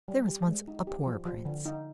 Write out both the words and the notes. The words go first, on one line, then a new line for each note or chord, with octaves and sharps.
There was once a poor Prince.
G3
G4
G#3
D#4
G4
F3
F3
D3
D#4